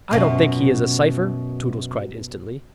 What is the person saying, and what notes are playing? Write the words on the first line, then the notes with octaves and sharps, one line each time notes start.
"I don't think he is a cypher," Tootles cried instantly.
F#2 B2 F4